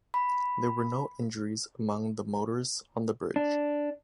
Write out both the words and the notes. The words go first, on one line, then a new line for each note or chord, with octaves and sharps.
There were no injuries among the motorists on the bridge.
B5
D4